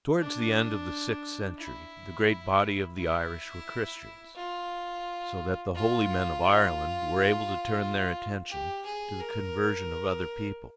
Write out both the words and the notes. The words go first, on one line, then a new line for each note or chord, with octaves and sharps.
Towards the end of the sixth century the great body of the Irish were Christians, so that the holy men of Ireland were able to turn their attention to the conversion of other people.
D4
E4
E4
F4
F4
G4
G#4
A#4